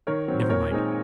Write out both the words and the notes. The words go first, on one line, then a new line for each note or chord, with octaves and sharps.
Never mind.
D#3 A#4 C#5
F#3 C4
C5
A#2 A#4 C#5
G#3 C4 D#4